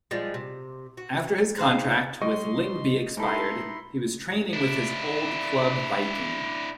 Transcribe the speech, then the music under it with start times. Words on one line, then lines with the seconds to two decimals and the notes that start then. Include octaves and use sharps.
After his contract with Lyngby expired, he was training with his old club Viking.
0.11 F3 G3 G#3
0.34 C3
0.97 F#4
1.57 G#3 D#4 C5 F5
2.22 G3 D#5 C6 C#6
3.17 G#2 D#4 E4 A4 C6
4.53 D4 E4